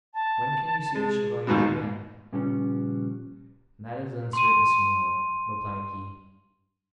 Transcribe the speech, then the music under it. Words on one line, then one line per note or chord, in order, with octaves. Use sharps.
When can you see the Chevalier again?' 'That is uncertain, Signora,' replied he.
A5
G#3
D#2 G#2 B2
A#2 C#3 F3 G3 B3 C#4
C6 D#7